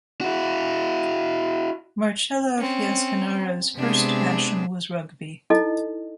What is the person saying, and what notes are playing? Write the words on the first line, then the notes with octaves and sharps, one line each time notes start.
Marcello Fiasconaro's first passion was rugby.
E4 F#4
C4 C#4
C3 G#3 B3 C4 D4 G#4
D#4 E4 A4 D#5